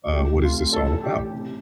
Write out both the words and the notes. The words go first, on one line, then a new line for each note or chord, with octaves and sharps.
uh, what is this all about?"
A3 G4
C3
F4
C3
A1 A4
A1
G4
A1
C3